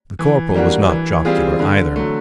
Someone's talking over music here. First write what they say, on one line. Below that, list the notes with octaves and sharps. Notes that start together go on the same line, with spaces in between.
The Corporal was not jocular either.
E3
G3 A#3 D4 F#4
E3
G3 C4 F4 G#4
D3
F#3 A3